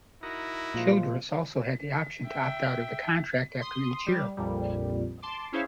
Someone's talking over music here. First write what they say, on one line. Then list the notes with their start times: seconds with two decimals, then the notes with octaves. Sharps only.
Childress also had the option to opt out of the contract after each year.
0.23 D#4 E4 F#4 A#4
0.74 A#2 F3 G#3 F4
2.27 E5 G5
3.61 C6 D#6
4.07 G3
4.37 A#1 F2 A#2 G3
5.22 A5 C6 D6
5.52 C#4 E4 G#4 C5 C#5 F5